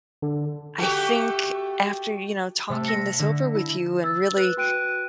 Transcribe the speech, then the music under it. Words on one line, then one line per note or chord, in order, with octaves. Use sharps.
I think after, you know, talking this over with you and really
D3
A3 F#4 G4
C3 A3
E6 A#6 B6 C#7
D3
E4
E6 A6
B4 F#6
F#4 B4 G5 F#6 D7 D#7